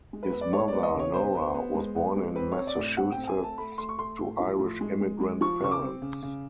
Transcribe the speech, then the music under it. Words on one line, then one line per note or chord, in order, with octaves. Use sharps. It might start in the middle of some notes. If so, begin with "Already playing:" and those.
His mother, Nora, was born in Massachusetts to Irish immigrant parents.
G#3
B4
B3
D5
G#3 C#5
B3 D5
D#5
C#3
C#5
B3 C5
B3
B3
G#3
B3
G#3
C4 B4
C4 C#5
D5
A2
C4 F#5
G5
C4
G5
G#5
A3
A5
A3 B5
A3 C6
C#6
A3 C6
A2
F3
A2
G#3
G#3
G#3
F3 C#6
C#3 C#6
D6
C4
C#3
C#3